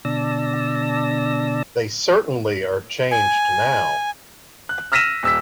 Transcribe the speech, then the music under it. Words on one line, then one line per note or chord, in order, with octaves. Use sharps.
They certainly are changed now.
B2 D3 D5 A5 E6 A#6
G#5
F#6
E6 F6 A#6 B6 D#7 E7
D#1 E6 B6